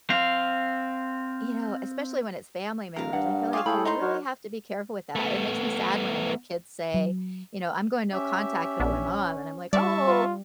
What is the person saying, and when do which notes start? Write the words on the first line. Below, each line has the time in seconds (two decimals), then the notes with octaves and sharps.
you know, especially when it's family members, I feel like you really have to be careful with that. It makes me sad when I hear kids say, you know, "I'm going no contact with my mom," and I'm like, "Oh,
0.10 C4 F5
2.96 D1 A#4 F5
3.13 G2 F#5
3.53 F4 G4 G#4 C#5 F5
3.66 A2 G#4 A4 G5 B5
3.85 D#4 C5 A#5 C6
4.01 F#3 A#4 C5 C#5
5.15 A3 B3
6.94 F#3
8.12 C#4 G4 E5
8.80 A#1 B3 D4
9.73 G3 D5 E5 A5 C#6
10.07 F4